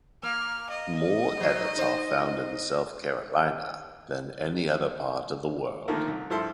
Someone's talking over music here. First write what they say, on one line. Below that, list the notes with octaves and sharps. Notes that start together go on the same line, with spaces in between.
More Evatts are found in South Carolina than any other part of the world.
A#3 F6
D#5
G#2 F#3
D#4 C5
D3 D#3 F3 A3 A#3 A#4
C2
G2 F3 E4 A4 C6